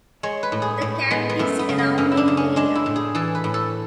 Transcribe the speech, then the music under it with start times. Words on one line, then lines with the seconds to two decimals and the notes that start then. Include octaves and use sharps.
The camp is around in area.
0.23 G#3 C#5
0.43 B4
0.52 A2
0.62 G#4
0.82 A2
1.11 G#3 B3
1.29 B3
1.39 F#2 A3
1.59 B3
1.69 C#3
1.78 B3
1.98 F#2 C#4
2.12 E4
2.17 D4
2.28 C#3
2.37 C#4
2.56 G#3 D4
2.75 E4
2.86 A2
2.96 G#4
3.15 E3 A4
3.35 B4
3.44 A2
3.54 A4